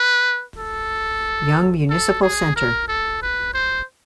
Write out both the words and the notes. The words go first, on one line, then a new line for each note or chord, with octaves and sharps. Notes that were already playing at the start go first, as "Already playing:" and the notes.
Young Municipal Center.
Already playing: B4
A4
A4
G#4
A#4
A4
B4
C5